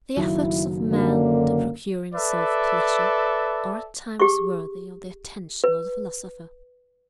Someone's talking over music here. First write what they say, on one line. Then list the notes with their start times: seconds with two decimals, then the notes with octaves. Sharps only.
The efforts of man to procure himself pleasure are at times worthy of the attention of the philosopher.
0.17 F#1 D#3 F#3 E4
0.91 F#2 D3 A#3
2.14 A4 B4 D5 E5
4.20 G4 G#4 C#6
5.64 B4